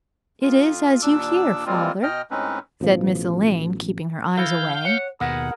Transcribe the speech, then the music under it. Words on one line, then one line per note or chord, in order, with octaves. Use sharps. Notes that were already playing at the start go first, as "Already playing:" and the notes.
"It is as you hear, Father," said Miss Elaine, keeping her eyes away.
F2 F4
D#2 A#2 D4 D6 E6
G3 G#3 A#3 C4 F4
B2 D#5 G5 F6
A2 G#3 C4 C#4 D#4 B4
A1 B2 F3
E3 E4 A4 F5 G6
C#5 F#5
D#2 B2 G#4 A#4 B4 F#5